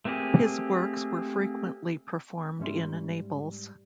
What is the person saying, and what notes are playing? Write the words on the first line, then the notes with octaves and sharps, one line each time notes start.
His works were frequently performed in Naples.
A3 A#3 C4 G4 G#4
G#2 G3 C#4 E5 C6